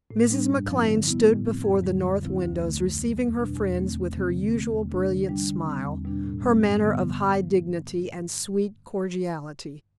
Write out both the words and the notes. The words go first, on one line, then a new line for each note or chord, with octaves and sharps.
Mrs. McLane stood before the north windows receiving her friends with her usual brilliant smile, her manner of high dignity and sweet cordiality.
A2
G3 D4
G2
F3 C4 E4
D3
G3 B3 E4
A2
F3 C4
F2
D3 G3
F2
D3 F3 C4 E4
D2
D3 A3
F2
E3 G3
E2
B2 G3 D4
E2
D3 F3 A3 C4
E2
C3 F3 C4
D3
A3 C4
E2
C3 G3 D4
D3
G3 D4
D3
G3 C4
E2
B2 G3 D4
A2
G3 C4
G2
D3 G3 B3